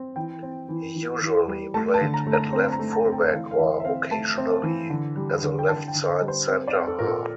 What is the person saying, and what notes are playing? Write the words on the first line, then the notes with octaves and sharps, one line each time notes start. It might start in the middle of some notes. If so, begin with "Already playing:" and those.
He usually played at left full back or occasionally as a left-side centre half.
Already playing: C4
E3 G5
C4
E3
E3
E3
G3
A3 A5
A5
D3
A#5
A3
A#5
C4
A#5
A3
A5
C4
G5
E3 F5
F5
E3 E5
E5
C4 F5
A3 A5
C4
E3
D3
G3
D3
G5
D3 A5
G5
D3
C5
G3
C5
C4 C5
D5
C4
A4
A#2 A#4
A4